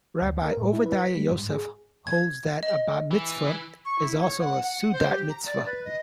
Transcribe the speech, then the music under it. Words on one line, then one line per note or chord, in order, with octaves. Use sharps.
Rabbi Ovadiah Yosef holds that a Bat Mitzvah is also a seudat mitzvah.
D2
A#4
A2
E4
B4
B6
G3
G#2
G#4
G#6
D#5
E3
C#6
E4
C#5
F#5
F#5
C5
G4
A#5
D5
B4
D#5